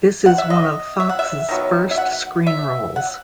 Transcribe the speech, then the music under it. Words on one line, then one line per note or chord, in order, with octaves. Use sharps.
This is one of Fox's first screen roles.
F#5
E5
D#5
E5
F#5
E5
D#3 F#3 B3
E5
F#5
E5
F#5